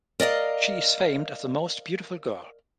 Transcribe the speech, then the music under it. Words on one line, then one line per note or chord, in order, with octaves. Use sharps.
She is famed as the most beautiful girl.
A#4 D5 D#5 F5